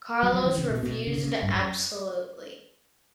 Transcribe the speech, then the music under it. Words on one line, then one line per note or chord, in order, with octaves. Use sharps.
Carlos refused absolutely.
F#3
F#3
E3
C#3
B2
B2
C#3
C#3
G2
F#2